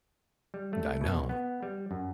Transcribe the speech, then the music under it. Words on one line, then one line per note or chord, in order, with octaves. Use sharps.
D I know.
G3
A3
B2
B3
G3
F#2